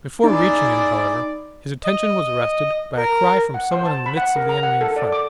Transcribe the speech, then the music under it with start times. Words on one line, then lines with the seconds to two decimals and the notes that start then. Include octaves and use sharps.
Before reaching him, however, his attention was arrested by a cry from some one in the midst of the enemy in front.
0.24 D#4 E4 G#4 D5
1.84 D#5
2.97 A#4
3.54 F#5
3.72 C5
3.85 A5
4.06 B5
4.17 F#5
4.36 A#4
4.49 A#5
4.63 F#5
4.81 A4
4.96 D5
5.12 D6